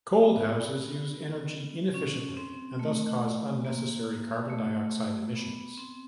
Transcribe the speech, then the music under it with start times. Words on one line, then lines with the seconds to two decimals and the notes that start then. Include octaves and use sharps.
Cold houses use energy inefficiently and thus cause unnecessary carbon dioxide emissions.
0.23 B3
1.94 C#4
2.37 C4
2.79 A3
3.65 A#3
4.50 A3
5.35 B3
5.78 C4